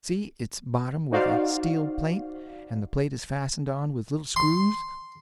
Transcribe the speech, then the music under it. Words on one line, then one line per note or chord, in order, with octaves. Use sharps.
See, it's bottomed with a steel plate, and the plate is fastened on with little screws.
D#4 F#4 C5 D5 F5
C6